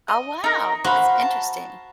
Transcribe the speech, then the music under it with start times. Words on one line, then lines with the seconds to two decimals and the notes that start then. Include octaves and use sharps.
Oh, wow! That's interesting.
0.08 D#5
0.44 D#4 A#4
0.84 F#4 C5 F5 B5
1.20 A5 A#5